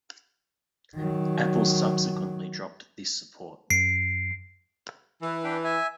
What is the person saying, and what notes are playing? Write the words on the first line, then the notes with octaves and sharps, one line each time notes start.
Apple subsequently dropped this support.
D#3 F#3
F#2 C7 D7
E3
D4 B4 G5
E5 G#5